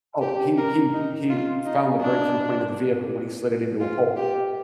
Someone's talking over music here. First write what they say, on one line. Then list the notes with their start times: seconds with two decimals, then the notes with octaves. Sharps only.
Oh, he he he found the breaking point of the vehicle when he slid it into a pole.
0.21 G4
0.58 A#4
0.93 D#4
1.30 F4
1.65 D#4
2.01 D4
3.80 F4
4.16 G4